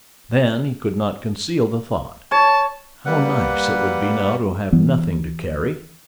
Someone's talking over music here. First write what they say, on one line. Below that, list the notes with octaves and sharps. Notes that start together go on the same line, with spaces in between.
Then he could not conceal the thought: "How nice it would be now to have nothing to carry!"
C#5 A5
G3 A#3 B4 F#5
E3 B3